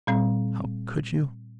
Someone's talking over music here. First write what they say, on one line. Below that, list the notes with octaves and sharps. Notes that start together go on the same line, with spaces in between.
How could you?
A#2 G3 C4